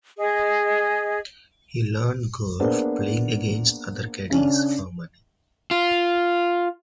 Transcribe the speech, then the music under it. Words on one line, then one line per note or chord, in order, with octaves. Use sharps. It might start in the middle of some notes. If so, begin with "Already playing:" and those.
He learned golf playing against other caddies for money.
G#4 D#5
A#3 B3 D4 G#4 C5
C#3 C#4 D4
F4